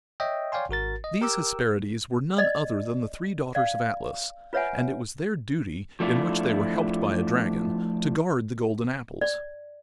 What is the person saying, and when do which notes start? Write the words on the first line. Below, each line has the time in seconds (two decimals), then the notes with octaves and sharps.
These Hesperides were none other than the three daughters of Atlas, and it was their duty, in which they were helped by a dragon, to guard the golden apples.
0.20 C#5 D#5 E5 G5
0.52 C#5 D5 F5 G5 G#5 C6
0.69 G#1 F#4 A#4 A6
1.04 D#5
1.21 G4 A#4 G5 D6 E6
2.38 D5 D#5
3.55 D5 F5
4.53 F4 B4 C#5 E5 F#5 G#5
6.00 F3 A3 D4 E4 F4
9.21 D5